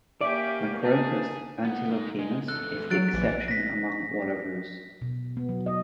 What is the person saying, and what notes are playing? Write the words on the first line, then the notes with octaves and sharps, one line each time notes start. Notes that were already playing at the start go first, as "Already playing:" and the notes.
"Macropus antilopinus" is the exception among wallaroos.
A#3 C#4 G4 D5 E5
G#4 A5
B3
G#3 D#4
G#3
E2 A4 F#6
F#3 F#6 A6 D7
A#1 E3
A#6 B6
B2
B3
F#3
D#5